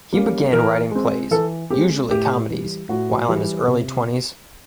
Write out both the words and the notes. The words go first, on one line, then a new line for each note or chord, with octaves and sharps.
He began writing plays, usually comedies, while in his early twenties.
G3 A#3 C#4
E3 A#4
G#3 C4
E3 A4
G#3 C4 G4
A2 G4
E3 G3
A2 F#4
E3 G3
C3